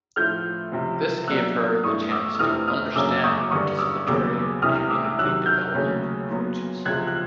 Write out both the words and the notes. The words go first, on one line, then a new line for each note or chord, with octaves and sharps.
This gave her the chance to understand participatory community development approaches.
A2 F3 A3 F6 G6
C#2 C3 F3
B2 F#3 A#3 D4 E6 F#6
G2 E3 A3 C#6 D#6
D6 E6
E6
F2 C3 E3 A3 C4 D#6 F6
D#6 F6
F#2 C#3 F#3 A#3 C#4 D6 E6
C#6 D#6
D6
G2 D3 G3 C#6 D#6
D6 E6
D#2 C#3 F#3 B3 D6 E6
C2 C3 E3 D#6 F6
D6 E6
C3 D#3 F#3 E6 F#6
F6 G6
D#2 C#3 F#3 A3 C#4
A#2 F#3 B3
C#2 C3 F3 G#3 F#6 G#6
F#6